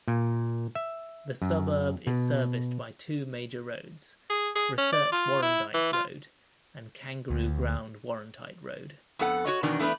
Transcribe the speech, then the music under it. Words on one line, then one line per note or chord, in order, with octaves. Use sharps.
The suburb is serviced by two major roads; Research-Warrandyte Road and Kangaroo Ground-Warrandyte Road.
A#2
E5
F#2
B2
G#4
G#4
C#4
D5
F4
E4
E3
F4
D2
F2 B3 A4 F#5
F#4 C#5 D#5
B2 D#3 E3 D4
E3 A3 B3 D4 B4